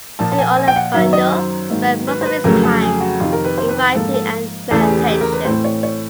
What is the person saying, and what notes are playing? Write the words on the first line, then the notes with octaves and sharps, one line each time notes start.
Sri Aurobindo spent most of his time in writing and meditation.
A#2 F3 A#3 A5
A5
G#5
G#5
G5
F#5
F#2 D#3 F#3 E5
D#5
C5
G#2 D#3 F#3 A#3
B4
C5
B4
F2 C#3 F#3 A3 A#4
A4
G#4
F#4
F2 C3 D#3 F4
A#4
B4
C5
B4
G#2 F3 A#3 A4
A4
E2 C#3 E3 A3 A4
G#4
G4
G#4
G4
A#4
B4
A2 E3 A3 C4 C5
C#5
C#5